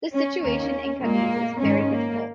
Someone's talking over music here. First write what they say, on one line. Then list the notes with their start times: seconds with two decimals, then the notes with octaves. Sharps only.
The situation in Cadiz is very difficult.
0.12 C#4
0.42 D#2 D#3 A#3 C#4
1.01 A#2 G#3 A#3
1.60 G#2 D#3 G#3 C#4
1.90 A#3